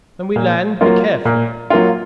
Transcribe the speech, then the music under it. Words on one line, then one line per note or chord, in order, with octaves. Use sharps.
When we land, be careful.
A#2
F#3 A#3 F4
A#2
F#3 A#3 F4